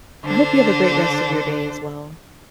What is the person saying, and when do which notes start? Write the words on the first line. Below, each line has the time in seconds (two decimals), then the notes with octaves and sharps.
I hope you have a great rest of your day as well.
0.24 D3 D4 C5